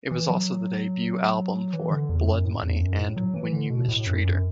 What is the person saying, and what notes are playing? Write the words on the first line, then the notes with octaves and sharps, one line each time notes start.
It was also the debut album for "Blood Money" and "When You Mistreat Her".
E3
F#3
E3
D3
E2
F#2
A2
E2
F#2
A2
F#3
E3
D3
B2
A2
F#2
F#2